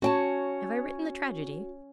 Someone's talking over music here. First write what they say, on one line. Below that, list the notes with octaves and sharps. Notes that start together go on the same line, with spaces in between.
Have I written the tragedy?
C#4 F#4 C#5 G5 A5